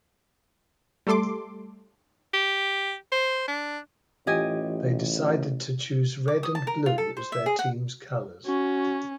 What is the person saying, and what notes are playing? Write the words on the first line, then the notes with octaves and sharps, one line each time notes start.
They decided to choose red and blue as their team's colours.
G3 A3 A4 C6 D6
G4
C5
D4
A1 E3 F4 G4 D#5 G#5
D6
D#6
A5
A#4
F4
A4
C5
E5
G#4
F#5
C#4 F#4